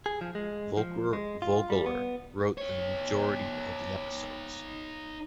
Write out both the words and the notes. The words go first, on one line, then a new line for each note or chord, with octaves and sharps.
Volker Vogeler wrote the majority of the episodes.
G#4
F3
G#3
F3
G#3
F4
G3
B3
D#4 C#5